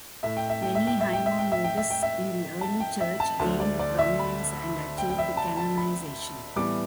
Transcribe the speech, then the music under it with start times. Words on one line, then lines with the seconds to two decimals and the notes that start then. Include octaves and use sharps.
Many hymnodists in the early Church gained prominence and achieved canonisation.
0.23 A2 A3 E5
0.37 G5
0.49 E5
0.62 G5
0.75 E5
0.87 G5
1.01 E5
1.13 G5
1.26 E5
1.39 G5
1.52 E5
1.64 G5
1.77 E5
1.90 G5
2.03 E5
2.61 A5
2.80 G5
3.01 E5
3.20 A5
3.39 D2 D3 A3 A5
3.60 D5
3.79 D5
3.99 E5
4.19 B5
4.98 G5
5.10 G5
5.18 E5
5.37 A5
5.57 A5
5.77 B5
6.56 A2 E3 G3 B3 D6